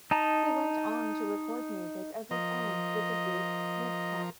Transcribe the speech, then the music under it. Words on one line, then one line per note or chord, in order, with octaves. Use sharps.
He went on to record music of his own with the group Lootpack.
D#4 A5 A#5
F3 A#4 D#5